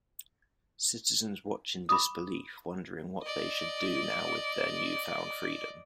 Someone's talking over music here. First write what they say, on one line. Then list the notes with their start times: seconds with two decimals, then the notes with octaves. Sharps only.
Citizens watch in disbelief, wondering what they should do now with their new-found freedom.
1.89 B5 D6 D#6
3.22 D5 D#5